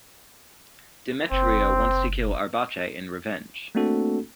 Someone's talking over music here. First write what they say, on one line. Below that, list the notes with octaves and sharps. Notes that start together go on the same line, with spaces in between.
Demetrio wants to kill Arbace in revenge.
F#1 C4
A3 A#3 C4 D4 F#4 A4